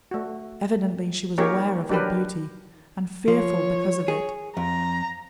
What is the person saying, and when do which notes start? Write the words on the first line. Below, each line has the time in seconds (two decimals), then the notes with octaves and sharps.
Evidently she was aware of her beauty and fearful because of it.
0.11 A3 F#4
1.38 A#3 D#4 G4 G#4 A#4 C#5
1.89 F#3 D4 G4 A#4 B4
3.28 F3 C#5
4.08 G#4
4.57 F2 A#5